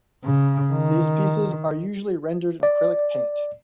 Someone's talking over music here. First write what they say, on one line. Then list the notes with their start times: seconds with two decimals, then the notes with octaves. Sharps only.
These pieces are usually rendered in acrylic paint.
0.24 C#3
0.73 D#3
2.63 D5